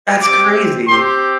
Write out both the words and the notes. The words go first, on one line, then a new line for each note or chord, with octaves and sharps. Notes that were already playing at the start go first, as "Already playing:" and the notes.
that's crazy."
C4 G4 D6
C4 G4 C6